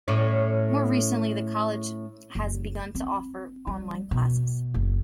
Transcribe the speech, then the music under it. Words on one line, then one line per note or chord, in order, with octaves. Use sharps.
More recently the college has begun to offer online classes.
A2 C#4 D5
F#1
C4
G3
B2
F#1